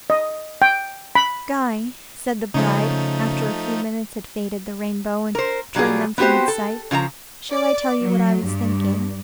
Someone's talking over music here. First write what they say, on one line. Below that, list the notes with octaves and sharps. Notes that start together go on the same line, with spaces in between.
'Guy,' said the bride, after a few minutes had faded the rainbow, and turned them from its sight, 'shall I tell you what I was thinking?
D#5
G5
B5
C#3 F3 A3 C#4 D#4
A#4 C5
B2 F#3 G3 F4 G#4
B3 C4 F#4 G4 C5
A4
C#3 F3 G#4 A#5
D5
F#3
G2